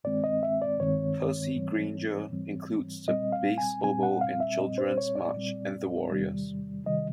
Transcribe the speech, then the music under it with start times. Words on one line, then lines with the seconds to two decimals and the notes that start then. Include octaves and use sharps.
Percy Grainger includes the bass oboe in Children's March and The Warriors.
0.04 G2 D#3 G#3 C4 D5
0.24 D#5
0.43 E5
0.62 D5
0.80 G2 D#3 G#3 C4 C#5
1.56 G#2 E3 G3 C4
2.32 G#2 E3 G3 C4
3.08 A#2 G3 C4 D#5
3.32 F5
3.58 G#5
3.83 A#2 G3 C4 G#5
4.03 F#5
4.21 F5
4.40 E5
4.59 A#2 G3 C4 D#5
4.78 C5
4.98 C#5
5.16 D5
5.35 A#2 G3 C4
6.11 E2 C3 D#3 G3
6.86 C3 D#3 G3 D#5